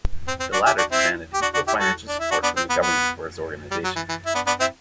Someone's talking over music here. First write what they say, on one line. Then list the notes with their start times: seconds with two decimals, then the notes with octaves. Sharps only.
The latter demanded equal financial support from the government for his organisation.
0.28 C4
0.40 C4
0.53 D4 F#4
0.66 E4 G4
0.78 D4 F#4
0.91 C4 E4
1.34 G4
1.42 D4 F#4
1.54 D4 F#4
1.68 E4 G4
1.80 F#4 A4
2.08 D4
2.20 E4
2.31 D4 F#4
2.43 B3 D4
2.57 C4
2.70 B3
2.82 B3
3.71 G3
3.84 F#3
3.96 E3
4.09 E3
4.26 E4
4.35 B3 D4
4.47 B3 D4
4.60 C4 E4